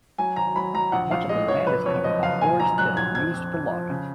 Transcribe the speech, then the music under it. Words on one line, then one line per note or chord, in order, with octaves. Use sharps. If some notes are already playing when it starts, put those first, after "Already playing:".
Much of the land is covered by forests that are used for logging.
F#3 G#5
G#1 A#5
F#3 B5
F#3 A#5
A#1 F#5
A#1 F5
G#3 D#5
A#1 C#5
F#1 B4
F2 C#5
F3 D#5
F#1 F5
A#2 G#5
A#1 A#5
F#3 F#6
A#1 G#6
F2 G#6
F2
F2
F3
C#3